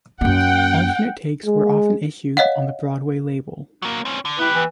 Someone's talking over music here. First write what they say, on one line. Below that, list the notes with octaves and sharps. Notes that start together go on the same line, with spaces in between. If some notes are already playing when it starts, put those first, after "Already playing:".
Alternate takes were often issued on the Broadway label.
F#2 A#3 F#5 G5
G#3
C#5 D#5 F5 F#5
F#3 A#3
C4 C#4
D3
B3 E4 G4 B4
E3